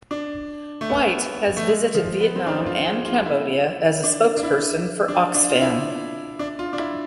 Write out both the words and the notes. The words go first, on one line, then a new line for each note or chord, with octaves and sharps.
Whyte has visited Vietnam and Cambodia as a spokesperson for Oxfam.
D4
A3
B3
A3
G#3
F3
B3
C4
D4
F4
G#4
F4
E4
D4
D4
E4
D4
D4
F4
E4
D4
F4
D4
E4